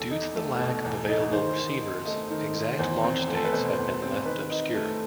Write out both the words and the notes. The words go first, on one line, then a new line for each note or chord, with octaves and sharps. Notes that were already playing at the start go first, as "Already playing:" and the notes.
Due to the lack of available receivers, exact launch dates have been left obscure.
Already playing: E2 A4
D#4
A3
B2
E2
D#4
D#3 C5
D#3
D#4
A3 D#5
D#3
D#3
E2 C5
C4
A3
A4
B4
B2 C5
E2
C4
D#3 B4
D#4
A3